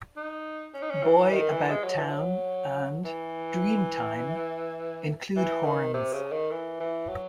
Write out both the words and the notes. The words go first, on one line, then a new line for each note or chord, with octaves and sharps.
"Boy About Town" and "Dream Time" include horns.
D#4
C#4
D#4
C#4
E3
D#3
E3
G#3
F#3
E3
F#3
E3
E3
D#3
C3
C#3
D#3
E3
E3
F#3